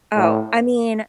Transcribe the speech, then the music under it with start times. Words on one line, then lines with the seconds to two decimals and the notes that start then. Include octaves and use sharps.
Oh, I mean,
0.16 A2